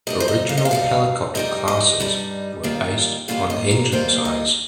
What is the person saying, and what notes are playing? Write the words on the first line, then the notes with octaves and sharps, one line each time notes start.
Original helicopter "classes" were based on the engine size.
G2 G3 D#4 D#5
C5
D#5
F5
D#5
F5
G2 G3 D#4
G2 G3 D#4 D#5
D#5
G2 G3 D#4
D#2 D#3 G3 A#3 F4
D#2 D#3 G3 A#3 F4 F5
D#5
A#4
D#2 D#3 G3 A#3 F4 C5
D#5